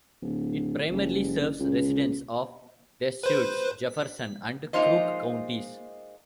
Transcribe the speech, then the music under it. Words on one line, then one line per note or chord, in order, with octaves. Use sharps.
It primarily serves residents of Deschutes, Jefferson, and Crook Counties.
D1
F#1
C#2
B4 C5
G#3 A#3 D#4 F4 C5 D#5